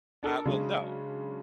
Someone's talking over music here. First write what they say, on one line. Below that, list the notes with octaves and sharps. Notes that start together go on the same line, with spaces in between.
Uh, well, no.
D4 A4 A#4
C#3 F#3 G#3 D4